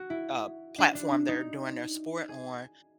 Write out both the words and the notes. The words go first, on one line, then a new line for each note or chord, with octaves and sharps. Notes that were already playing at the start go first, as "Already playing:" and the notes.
uh, platform they're doing their sport on.
Already playing: F#4
E4
D4
D4
D4
D#4
G#4